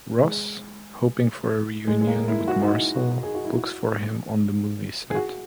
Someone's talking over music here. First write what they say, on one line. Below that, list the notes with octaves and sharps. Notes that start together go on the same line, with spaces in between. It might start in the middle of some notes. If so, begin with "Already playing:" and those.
Ross, hoping for a reunion with Marcel, looks for him on the movie set.
G#3
G#3
G#3
A#3
E4
F#4
D#4
E4
F#4
G#4
F#4
E4
F#4
G#4
F#4